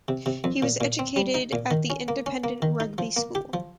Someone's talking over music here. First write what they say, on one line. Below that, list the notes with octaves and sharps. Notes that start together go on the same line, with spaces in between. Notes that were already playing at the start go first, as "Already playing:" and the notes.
He was educated at the independent Rugby School.
C3
C3
F2
A#2
A#2
C4
G3
D#4
A#2
D#3
C#4
A#3
C#4
A#3
D#3
D#4
F3
A#3
G4
F3